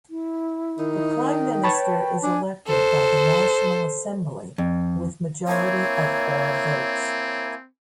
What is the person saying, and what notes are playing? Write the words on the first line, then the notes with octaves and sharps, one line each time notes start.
The Prime Minister is elected by the National Assembly with majority of all votes.
E4
D#3 D#4
G5
B4 C#5 A5 B5
D4 G#5
A4 C5
F2
A#3 C4 E4 C#5 G#5